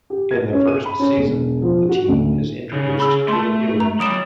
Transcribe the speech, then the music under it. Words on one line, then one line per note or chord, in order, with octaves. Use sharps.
In the first season, the team is introduced to the viewers.
G4
G#6
C#4
D#7
B5
C#4
E1
F3
F#4
D2
C#3
G#4 B5 E6
A3 A5 C6
A#5
F#3 B5 D#6 D7 E7